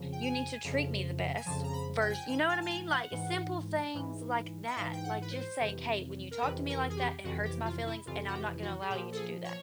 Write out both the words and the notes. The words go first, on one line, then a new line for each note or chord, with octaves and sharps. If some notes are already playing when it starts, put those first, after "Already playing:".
you need to treat me the best vers you know what I mean, like, simple things like that, like, just saying, “hey, when you talk to me like that, it hurts my feelings and I'm not gonna allow you to do that.”
Already playing: F2 C#3 F3
G5
G#5
F2 C#3 F3
G#5
F2 C#3 F3 A5
A#5
B5
G5
G#5
G5
G#2 E3 G#5
G#5
A5
G#5
F#5
G#2 E3
G#2 E3
E5
G#2 E3 F5
G5
F#5
B4
C5
F2 C3 E3
A#4
F2 C3 E3 B4
A#4
G#4
G4
F2 C3 E3 F#4
G4
F4
E4
F2 C3 E3 F4
F#4
G4
F#4
G#4
A#2 F3 G4
A4
G#4
C#5